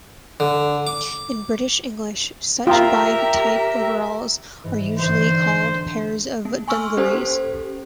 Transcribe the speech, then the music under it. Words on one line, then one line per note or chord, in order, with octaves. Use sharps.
In British English such bib type overalls are usually called pairs of "dungarees".
D3
D6
F4 G4 A#4 E5 G5 A#5
G#2 E3
G1 D3 C5
A#3
G#5 C6 C#6 E6 F6
C#4 G4 A4 C5